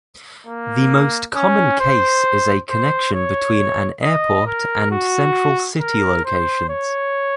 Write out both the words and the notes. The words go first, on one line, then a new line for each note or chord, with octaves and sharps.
The most common case is a connection between an airport and central city locations.
A#3
C#4
C5
C5
C#5
D#5
A#4
F#4
A#4
C5
C#5